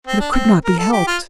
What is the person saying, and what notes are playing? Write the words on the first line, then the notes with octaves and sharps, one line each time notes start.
But it could not be helped.
C4
D4
C4
A#4
A4
G4
F4